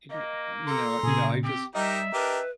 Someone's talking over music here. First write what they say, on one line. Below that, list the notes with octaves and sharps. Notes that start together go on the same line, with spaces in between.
y y you know you know, I just
A#3 D#5
A4 A#5 C6
A#2 C#3 G#4
C4 G4
G3 D#4 G4 A#4 D#5 E5
D4 G4 A#4 B4